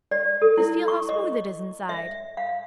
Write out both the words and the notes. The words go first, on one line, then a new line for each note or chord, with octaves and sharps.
"Just feel how smooth it is inside!"
D5
A4
E4
C#6
D#5
E5
F5